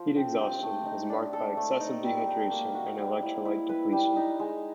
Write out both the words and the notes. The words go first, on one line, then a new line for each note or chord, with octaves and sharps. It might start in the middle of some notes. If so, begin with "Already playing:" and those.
Heat exhaustion is marked by excessive dehydration and electrolyte depletion.
Already playing: F3
C4
G4
A3
D#4
D4
A4
A3
D#4
G3
D#4
A#3
F#4
G3
E4
E4
B4
G3
D#4
G#3